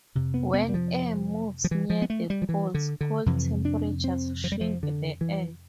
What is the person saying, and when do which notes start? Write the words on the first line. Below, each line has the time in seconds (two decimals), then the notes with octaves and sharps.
When air moves near the poles, cold temperatures shrink the air.
0.15 F2 C3
0.34 B3
0.53 B3
0.69 G3
0.74 F3
1.64 F3
1.71 E3
1.90 F3
2.02 B3
2.10 A3
2.30 G3
2.42 F3
2.49 E3
2.74 D3
3.01 D3
3.26 F2 C3 E3
3.65 D4
4.04 C4
4.44 F3
4.52 G3
4.61 F3
4.83 D3
5.21 E3